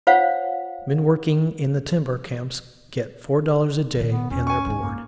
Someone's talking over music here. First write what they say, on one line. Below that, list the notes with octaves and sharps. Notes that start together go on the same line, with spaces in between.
Men working in the timber camps get four dollars a day and their board.
F4 C5 C#5 F5 F#5
A#2 D#3
B3
E2 C#4 F4
G#5 C#6
C#2 G#2
A#3